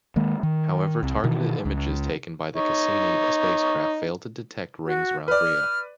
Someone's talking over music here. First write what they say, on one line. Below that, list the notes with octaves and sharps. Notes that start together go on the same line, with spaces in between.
However, targeted images taken by the "Cassini" spacecraft failed to detect rings around Rhea.
D#3 G#3 A#3
D#3
C2
B2 D#3 E3
C#2
D#4 C#5
F#4
B4 D5 F6